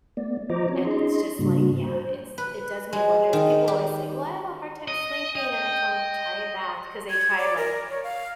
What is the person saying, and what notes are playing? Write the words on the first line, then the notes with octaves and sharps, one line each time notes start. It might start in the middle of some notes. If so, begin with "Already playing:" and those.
and it's just like, yeah, it's it does me wonders. People always say, "Well, I have a hard time sleeping," and I tell 'em, "Try a bath," 'cause they try like
A3 B3 D5
F3 F4 C5 D#5 A#5 D6
C4 C#4 F#4 C#5
D4 E4 G#4 D#5 C6
G#2 C#3 G3 A#3 D4 F#4
C5
B4
G#3
D#3
G4
D#5
D#5 G5
G#6
D5
A#4
C#5
F5